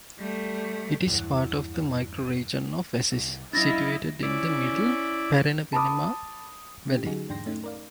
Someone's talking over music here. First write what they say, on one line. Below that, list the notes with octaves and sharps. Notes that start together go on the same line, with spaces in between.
It is part of the Microregion of Assis, situated in the middle Paranapanema Valley.
G3 A3
E2 G2
C2
F#3 C#4 D4 E4 D#5 F5 A6 A#6
C#4 E4 D5
A5 B5 D6 D#6
C#4 G4
D3 F#3 D#4 F#4 G#4
E2 G#2 D4 G5 C6 A#6
A3 C#4 D#4
A#4 D5 F5